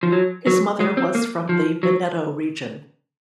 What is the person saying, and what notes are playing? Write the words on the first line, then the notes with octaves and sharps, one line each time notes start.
His mother was from the Veneto region.
F3
F#3
F#3
G#3
C4
A#3
F3
F#3